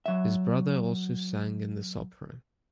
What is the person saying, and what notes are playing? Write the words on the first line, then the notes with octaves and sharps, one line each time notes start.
His brother also sang in this opera.
F#3 E5